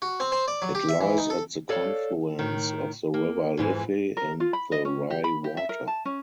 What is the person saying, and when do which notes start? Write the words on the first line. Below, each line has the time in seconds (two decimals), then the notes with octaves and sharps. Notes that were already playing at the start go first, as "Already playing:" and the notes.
It lies at the confluence of the River Liffey and the Rye Water.
0.02 F#4
0.20 C4
0.32 C4
0.48 D5
0.62 F#3
0.75 G4
0.89 E5
1.01 E3
1.18 D#4
1.30 A4
1.69 A4 C#5 D5 F5
2.39 A2 D#3
3.14 A#3
3.57 F2 G#2 E3
4.17 A#4
4.40 F4
4.53 B5
4.72 D#5
4.85 C#4
5.10 G4
5.24 B5
5.44 G4
5.57 E5
5.69 A#4
5.88 A5
6.05 C#4